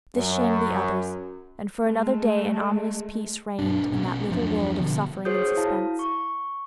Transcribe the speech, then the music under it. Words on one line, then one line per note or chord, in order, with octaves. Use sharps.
This shamed the others, and for another day an ominous peace reigned in that little world of suffering and suspense.
F#2
G#3 A3
B1 G2 D4
A#1 B2 C#4
D#1 F#2 F3 D4
B2 D3 F3 B3
F#4 G#4 C5 C#5 D#6 G6
E4 F5 A5
C#6